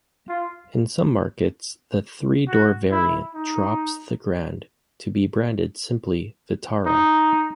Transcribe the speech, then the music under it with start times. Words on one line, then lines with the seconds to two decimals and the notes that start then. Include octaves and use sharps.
In some markets the three-door variant drops the "Grand" to be branded simply "Vitara".
0.29 F4
2.48 F#4
2.92 E4
3.35 D#4
6.86 D#4